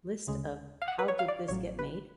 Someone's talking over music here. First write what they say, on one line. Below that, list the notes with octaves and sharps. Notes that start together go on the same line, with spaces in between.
List of How Did This Get Made?
D2 C#3 G#3
F5
F#5
B4
C#5
F5
D5
A1 A2 F#3 C#5
B4